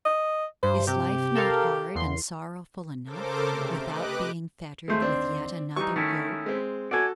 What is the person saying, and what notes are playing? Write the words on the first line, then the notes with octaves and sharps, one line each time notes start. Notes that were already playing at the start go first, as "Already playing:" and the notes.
Is life not hard and sorrowful enough without being fettered with yet another yoke?
D#5
G2 C5
C3 G4
A4 A#4 F5
E2 C6
C#3 A4 A#4 C5 D6
C3 A3
G4 B4 D#5 D6 F#6
D#2 G#3 A3 C5
C4 D4
E3 G3 D#4 C#6
D#3 A3 C#4 E4
G#3 C4
F#4 A4 D5 G#5